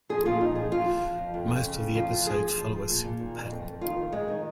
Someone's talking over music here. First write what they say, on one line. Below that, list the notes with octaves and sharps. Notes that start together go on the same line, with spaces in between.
Most of the episodes follow a simple pattern.
F3 G#4
A#2 F4
F3 D#4
F3 G#4
F3 F4
F3
F3
F2
F2
C#3
C#3
F2
F3 F4
F3
F3 G#4
F3
F3
F3
A#2
A#2
D#3
F2
F2
F2
D#3 F4
D#3
F2 G#3
D#3